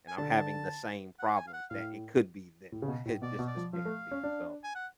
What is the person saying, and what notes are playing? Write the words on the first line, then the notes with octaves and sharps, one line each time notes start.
and I'm having the same problems, that it could be them." It just just can't be, so,
G#5
D3 A5
F#5
G#5
F5
F#5
A2 F5
A2
C#3
B2
A2
B2 D5
B2
D5
F3
F3 F5
A3
C#4
D4
G#5
F#5